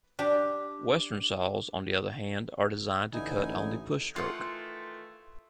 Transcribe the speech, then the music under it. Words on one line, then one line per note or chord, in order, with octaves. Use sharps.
Western saws, on the other hand, are designed to cut on the push stroke.
D4 G4
A1 D3 D#4 E4 G#5
D#3 E3 A3 F4 F#5 C6